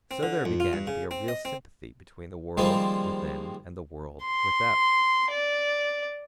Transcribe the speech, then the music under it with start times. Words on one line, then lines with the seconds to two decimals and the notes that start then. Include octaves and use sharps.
And so there began to be a real sympathy between the world within and the world without.
0.11 C4
0.23 D3
0.45 F2
0.60 F4
0.73 G2
0.87 C#3
1.11 C4
1.28 D#5
1.45 C4
2.57 D#3 F3 G3 G#3 A#3 C4
4.25 C6
5.31 D5